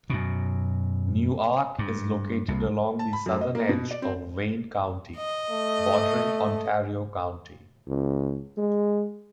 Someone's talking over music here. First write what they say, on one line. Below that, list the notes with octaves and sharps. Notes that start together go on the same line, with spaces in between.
Newark is located along the southern edge of Wayne County, bordering Ontario County.
F#2 B2
G2
C2
A5
B5
F#2
D#5
A#3
B2
D5
C4
D#5
A3
C#2
G#3